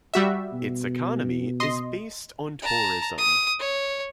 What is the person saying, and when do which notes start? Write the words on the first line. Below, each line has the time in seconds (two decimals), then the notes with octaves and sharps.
Its economy is based on tourism.
0.14 G3 F#4 E5
0.53 B2
1.60 D#5 C6
2.62 A5 A#5
3.18 D#6
3.60 C#5